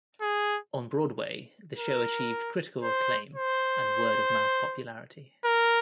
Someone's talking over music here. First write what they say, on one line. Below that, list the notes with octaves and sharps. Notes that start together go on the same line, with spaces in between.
On Broadway, the show achieved critical acclaim and word-of-mouth popularity.
G#4
A#4
C5
C5
A#4